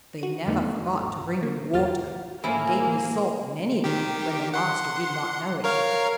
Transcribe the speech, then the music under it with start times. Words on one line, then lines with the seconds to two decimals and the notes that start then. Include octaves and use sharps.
They never forgot to bring me water and gave me salt many times when their master did not know it.
0.19 F#4 D#7
0.47 F2 D3 A3 B3 D#4
1.00 A1
1.20 G1
1.43 A#3
1.72 G#1 E2 F4 G4 F6 A6
2.44 A2 F3 A#3 E4 G#5
3.84 D#3 G4
4.54 F#5 C6
5.64 A#4 C#5 F5